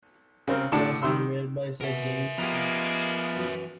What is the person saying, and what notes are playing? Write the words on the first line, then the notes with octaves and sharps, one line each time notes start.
It was unveiled by Sir James Jeans.
C#3 C4 A#4
A2 D3 D4 A5
D#3 G3 C6 E6
B2 A#4 E5
F3 G#3 A#3 B3 G4 D#5 A#5
F#2 E3